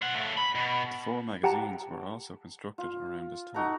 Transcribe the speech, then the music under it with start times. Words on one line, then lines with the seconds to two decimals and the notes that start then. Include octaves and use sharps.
The four magazines were also constructed around this time.
0.02 C5 F#5
0.14 C#3 A3
0.37 B5
0.55 B2
1.44 G4 F#5 G5 A5 A#5
2.78 F4
3.54 D#4 F#4 A4 A#5